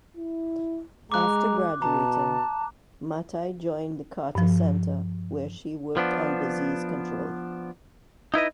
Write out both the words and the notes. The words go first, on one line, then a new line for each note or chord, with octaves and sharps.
After graduating Mathai joined the Carter Center where she worked on disease control.
E4
G#3 A#5 D6 F#6
B2 A5 A#5
G2 F3
F3 B3 D4
D#4 E4 B4 D#5